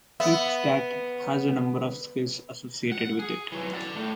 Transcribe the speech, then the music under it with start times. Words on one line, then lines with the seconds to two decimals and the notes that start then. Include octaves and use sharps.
Each stat has a number of skills associated with it.
0.20 B3 E5
2.92 F#5
3.19 G#4
3.52 E3 F#3
3.73 D5 F#5
3.96 A2 A3